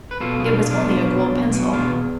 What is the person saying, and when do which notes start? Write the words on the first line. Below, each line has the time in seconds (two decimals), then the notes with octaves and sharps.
It was only a gold pencil.
0.11 B4
0.20 B2 F4 A4
0.39 B1 G#4
0.46 D4 F4
0.58 B1
0.71 D4 F4
0.77 B2
0.96 B2
1.16 B1
1.34 B1
1.53 B2
1.73 E2 D4 F4
1.92 E2